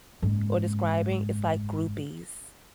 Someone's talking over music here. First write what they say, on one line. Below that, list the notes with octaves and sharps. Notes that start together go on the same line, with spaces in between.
or describing, it's like groupies.
F#1 G#2